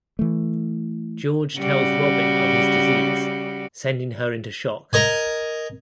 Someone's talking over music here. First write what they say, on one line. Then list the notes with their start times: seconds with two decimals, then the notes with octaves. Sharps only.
George tells Robin of his disease, sending her into shock.
0.19 E3 A3
1.57 C#3 G3 F#4
4.93 A#4 D#5 G#5